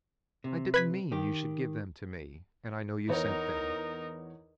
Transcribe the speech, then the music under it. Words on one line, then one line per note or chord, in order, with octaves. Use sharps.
I didn't mean you should give them to me, and I know you sent them.
C3
B4 G#6 B6
D#3 G4
E2 D#4 A#4 B4 C#5